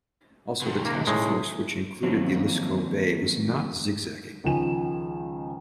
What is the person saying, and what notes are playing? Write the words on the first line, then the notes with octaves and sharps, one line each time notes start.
Also, the task force which included the "Liscome Bay" was not zigzagging.
B2 D#3
A#3 A#4
A2 G#3
D#3 F3 F#3 A#3 C4
C#2 D#3 F3 G#5 E7